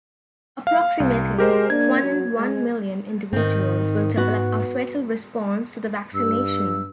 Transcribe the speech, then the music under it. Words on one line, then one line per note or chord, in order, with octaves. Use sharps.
Approximately one in one million individuals will develop a fatal response to the vaccination.
F5
C2
G#3 G4 A#4 C5
A#3 D4 G#6
F#3
G#3
G#2 D#3 C4
B3 F#4
G2 E6